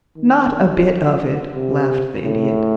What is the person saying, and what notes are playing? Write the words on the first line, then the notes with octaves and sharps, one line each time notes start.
"Not a bit of it," laughed the Idiot.
D#3
C3
A2